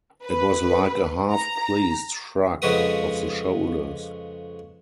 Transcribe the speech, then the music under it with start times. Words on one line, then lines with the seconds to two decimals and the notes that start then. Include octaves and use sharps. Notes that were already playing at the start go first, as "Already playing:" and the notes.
It was like a half-pleased shrug of the shoulders.
0.23 B4
1.31 A#5
2.62 F2 C#3 G#3 F#4 B4 D#6